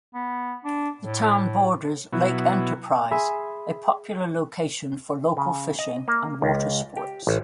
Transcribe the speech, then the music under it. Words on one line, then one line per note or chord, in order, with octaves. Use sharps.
The town borders Lake Enterprise, a popular location for local fishing and watersports.
B3
D4
A2
B2 F#3 E4
G#4 E5 G#5 B5 C6 E6
C#3
D#5
A#3
C#2
G4
A1